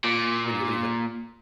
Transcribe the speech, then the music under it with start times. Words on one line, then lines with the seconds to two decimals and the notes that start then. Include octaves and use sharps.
when you leave it
0.04 A#2